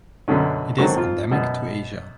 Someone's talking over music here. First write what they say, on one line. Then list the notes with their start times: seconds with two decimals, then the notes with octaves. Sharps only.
It is endemic to Asia.
0.28 F#2 B2 D3 C#4
0.78 G#2 D#3 F#3 C4 A4 C#6
0.96 F2 F4
1.31 F#2 B2